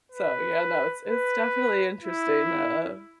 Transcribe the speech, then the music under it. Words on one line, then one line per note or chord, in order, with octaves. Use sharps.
So, yeah, no, it's it's definitely interesting, uh,
B4
B4
E4